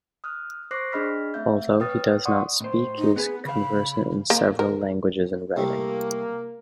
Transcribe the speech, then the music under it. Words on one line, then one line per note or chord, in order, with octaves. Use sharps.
Although he does not speak, he is conversant in several languages in writing.
D#6 F6 F#6
C5 C#6 D6 F#6 A#6 C7
D4 G#4 D#5 B5 F6 B6
A3 C4 E5 G6
B4 C#5 G5 D#6 F6 A6
D5 F#5 C6 C#6 D#6
A2 C5
D#4
B3 G#4 B4
C#3 F5 B5
A#3
A#4
C2 C3 A3 A#3